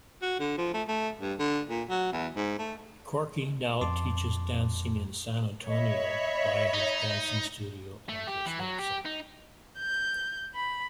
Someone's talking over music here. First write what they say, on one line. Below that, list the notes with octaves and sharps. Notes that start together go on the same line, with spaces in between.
Corky now teaches dancing in San Antonio via his dancing studio, and his website.
F#4
D3
F3
A3
A3
G2
D3
A#2
F#3
E2
G#2
A3
F2 A5 C6 D6
C#5 D#5 E5 B5
D#4
A3
G4
E3
F#3
G4
D#4
G6
B5